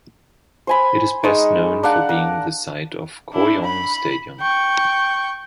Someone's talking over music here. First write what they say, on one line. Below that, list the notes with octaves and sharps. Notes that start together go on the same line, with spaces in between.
It is best known for being the site of Kooyong Stadium.
C5 G#5 B5
G#3 D#4 C#6
D4 A#4 F5 F#5
A#4
D4 E4
B5
G5 C#6